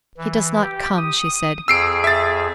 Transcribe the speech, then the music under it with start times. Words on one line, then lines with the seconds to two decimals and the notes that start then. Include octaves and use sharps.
"He does not come," she said.
0.17 E3
0.62 G4
0.97 D#6
1.68 F2 G#4 E6 C7 D7
2.04 E5 A6